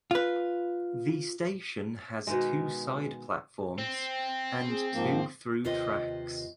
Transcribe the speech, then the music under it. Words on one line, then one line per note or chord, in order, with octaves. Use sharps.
The station has two side platforms and two through tracks.
F4 B4
B2 D#3 G#3
C4
G#4
G#2 F3 A#3
D#2 C3 F4 B4 C5 D#5